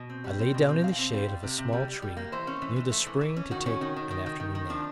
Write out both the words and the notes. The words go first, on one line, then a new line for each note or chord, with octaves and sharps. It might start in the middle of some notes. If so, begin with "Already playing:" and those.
I lay down in the shade of a small tree near the spring to take an afternoon nap.
Already playing: B2
C4
G3
C4
B2
C4
B2 F5
C4
G3
G3
C3
C3
G3
G3
G3
A#3
E3 C5
C#4
E3
E3
A3
E3
E3
C#4
D#3 F#4
C#4
D#3
D#3
D#3
D#3
D#3
D#3
F3 D4